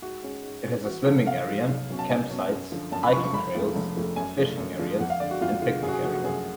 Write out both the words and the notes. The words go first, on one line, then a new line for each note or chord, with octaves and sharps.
It has a swimming area, camp sites, hiking trails, fishing areas, and picnic areas.
G#2 F#4
G#3 C#4
G#2
G#3 C#4
A1 F#4
G#2 F3 G#3 A4
A1 F5
G#2 F3 G#3
B1
B2 F#3 C#4
A5
B1 G#5
B2 F#3 C#4
F#2
D3 F3
F#2 A5
B5
D3 F3 C#6
C#6
F1 B5
F2 C#3 F3 A3
F1
F2 C#3 F3 A3
F#2 G#5
D3 F3 A3 D4
F#2
D3 F3 A3 D4
F2 F#5
F5
D3 G#3 D5
F#4
F2 F4
D3 G#3 F4
F#2 G#4
F#4
G#4
F3 A3 D4 F#4
F#4
F#2 G#4